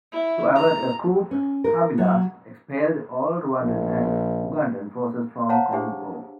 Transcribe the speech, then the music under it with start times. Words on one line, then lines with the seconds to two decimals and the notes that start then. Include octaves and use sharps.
To avert a coup, Kabila expelled all Rwandan and Ugandan forces from the Congo.
0.12 E4
0.55 A#5
1.31 C#4
1.64 A#4
1.98 F#3
3.60 A#1
5.49 C5 C#5 F5 F#5 A5 A#5
5.72 D4 G4 G#4 C5